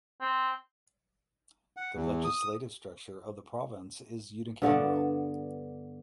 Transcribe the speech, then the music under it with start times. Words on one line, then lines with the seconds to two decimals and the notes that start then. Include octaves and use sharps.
The legislative structure of the province is unicameral.
0.21 C4
1.77 F#5
1.96 E2
2.25 D#6
4.62 G2 D3 B3 D4